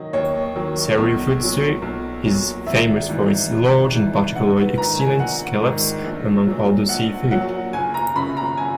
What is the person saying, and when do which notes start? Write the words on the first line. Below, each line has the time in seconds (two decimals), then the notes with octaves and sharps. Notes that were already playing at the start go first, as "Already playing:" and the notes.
Sarufutsu is famous for its large and particularly excellent scallops, among other seafood.
Already playing: D#3 F#3 D#5
0.13 D#2 C#5
0.56 D#3 F#3
0.98 B1
1.40 A#2 F#3
1.82 B1
2.24 A#2 F#3
2.66 G#1 E5
3.09 G#2 E3
3.51 G#1
3.93 G#2 E3
4.35 A#1 F#5
4.57 B4
4.78 G#2 D#3 A#5
4.99 G#5
5.20 A#1 F#5
5.62 G#2 D#3
6.04 A#1
6.47 A#2 F#3
6.89 A#1 F#5
7.31 A#2 F#3 F#5
7.73 F#1 G#5
7.94 A#5
8.16 F#2 C#3 B5
8.37 A#5
8.57 G#5